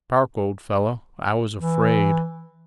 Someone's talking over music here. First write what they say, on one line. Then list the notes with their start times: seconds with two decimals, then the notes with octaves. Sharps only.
"Park, old fellow, I was afraid."
1.58 E3